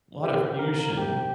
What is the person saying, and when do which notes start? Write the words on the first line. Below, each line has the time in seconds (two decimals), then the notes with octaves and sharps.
lotta fusion.
0.21 C2 G4
0.41 G4
0.46 C2
0.59 A#4
0.71 C2
0.79 A#4
0.96 C3 G4